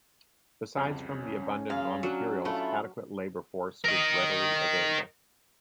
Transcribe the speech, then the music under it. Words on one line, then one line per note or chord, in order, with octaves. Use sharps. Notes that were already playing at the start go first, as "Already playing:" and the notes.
Besides form the abundant raw materials, adequate labor force is readily available.
C2 F2 C#3
C#4
F#2 G#4 F5 F6
F#3 D4
A3 E4 F4
A#4 D#5